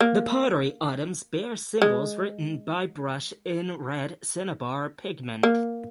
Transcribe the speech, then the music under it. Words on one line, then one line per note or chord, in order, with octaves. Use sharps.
The pottery items bear symbols written by brush in red cinnabar pigment.
A#3
G#3
A#3